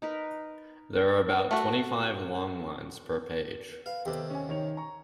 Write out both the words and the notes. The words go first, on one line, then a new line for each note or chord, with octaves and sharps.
There are about twenty-five long lines per page.
D#4 A#4 B4
A3 F#4
B4 F5
D#2 C3 B3 G4 A4
C#4 G#5
D#3 C#5 F7
A#5 C#6